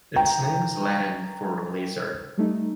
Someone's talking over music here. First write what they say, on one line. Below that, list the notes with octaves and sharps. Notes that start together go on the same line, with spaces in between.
Its name is Latin for lizard.
G5 A#5
G3 A3 D#4